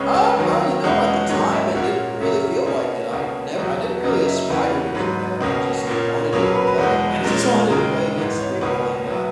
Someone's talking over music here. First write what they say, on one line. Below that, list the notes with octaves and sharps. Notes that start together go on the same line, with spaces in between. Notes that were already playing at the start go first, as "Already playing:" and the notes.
Uh, well, you know, at the time, it didn't really feel like it, I'd never I didn't really aspire to get there, I just wanted to play. I just wanted to play against people. And, uh
Already playing: C#2 C#3 G#3 B3 C#5
C#5
D#2 D#3 F#3 A#3
E2 B2 G#3 C#4
G#2 F#3 A#3 C#4 D#5
E5
A#2 A#3 C#4 F#5
F#2 C#3 F#3 C#4 E5
B2 A#3 C#4
C#2 B2 A#3 C#4
E2 B2 F#3 B3
F#2 C#3 F#3 A#3 C#4 D#5
E5
E2 C#3 E3 A#3 C#4 B4
B4
G#2 F#3 B3 B4
C#2 B2 A#3 C#4
A#2 A#3 C#4
B2 F#3 A#3 C#4 C#5
B4
B4
B4
E2 B2 G#3
A#2 G#3 C#4 A#4
D#2 C#3 G#3 A#4
G#2 E3 B3
C#5
C#2 B2 A#3 C#4 B4
B2 F#3 B3